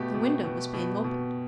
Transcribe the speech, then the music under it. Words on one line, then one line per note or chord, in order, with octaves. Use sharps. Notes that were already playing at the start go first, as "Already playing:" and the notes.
The window was being opened.
Already playing: B2 A3 G4
B2
B2
B2
B2